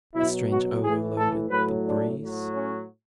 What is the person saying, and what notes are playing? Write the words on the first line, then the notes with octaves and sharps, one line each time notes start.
A strange odor loaded the breeze.
B2 F#3 E4
F#4
A2 E3 G#4
A4
A2 F#3 B4
D4
A2 F#3
C#4